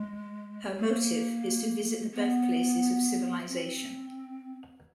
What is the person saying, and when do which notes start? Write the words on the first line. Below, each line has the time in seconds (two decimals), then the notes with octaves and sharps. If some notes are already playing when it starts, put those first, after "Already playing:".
Her motive is to visit the birthplaces of civilisation.
Already playing: G#3
0.80 A#3
2.14 B3
3.48 C4